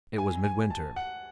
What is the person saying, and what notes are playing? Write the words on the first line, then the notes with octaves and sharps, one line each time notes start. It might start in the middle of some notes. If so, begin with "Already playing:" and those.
It was midwinter.
G#5
G#5
A5
F#5